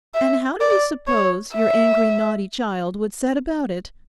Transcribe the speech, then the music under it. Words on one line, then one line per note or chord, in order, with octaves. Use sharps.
'And how do you suppose your angry naughty child would set about it?
E5
D5
C#5
E5